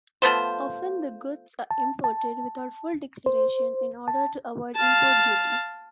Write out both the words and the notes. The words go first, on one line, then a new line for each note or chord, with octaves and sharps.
Often the goods are imported without full declaration in order to avoid import duties.
F3 A3 B3 C5
A5
A5
C5
A5
F5 A5